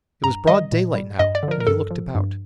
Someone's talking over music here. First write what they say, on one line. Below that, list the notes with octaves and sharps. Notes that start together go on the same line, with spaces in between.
It was broad daylight now, and he looked about.
G2 A#5
D#3 G3 D#5
A#2
G3
G2 D#5
D5
D3
F3 A#4
A#4
G2 A4
F3
G2